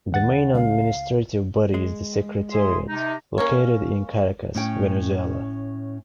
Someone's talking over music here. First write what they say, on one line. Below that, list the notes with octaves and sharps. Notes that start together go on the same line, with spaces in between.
The main administrative body is the secretariat, located in Caracas, Venezuela.
D#2 F#5 A6
C#2 F5
G#3
G#4 E5 C6
C3 D#4
A#3 C#4 C#5
A2 C#4 G5